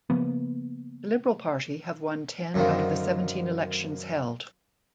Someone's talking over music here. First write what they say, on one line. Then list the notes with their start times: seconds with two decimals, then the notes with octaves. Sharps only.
The Liberal party have won ten out of the seventeen elections held.
0.10 C#3 F3 A#3 B3
2.54 F#2 D3 D#3 F3